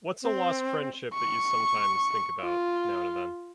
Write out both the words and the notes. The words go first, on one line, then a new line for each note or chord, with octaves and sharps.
what's a lost friendship that you sometimes think about now and then?
C4
C#6
F4